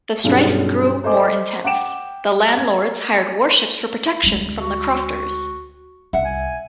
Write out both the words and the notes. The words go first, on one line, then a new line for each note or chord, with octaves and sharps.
The strife grew more intense; the landlords hired warships for protection from the crofters.
B1 G2 C#4 G#4
A4 C5 D#5 G#5 D6
F#5 G5 D6 D7 E7
G#6
D2 G#3
F#4
C2 E5 F#5
G#5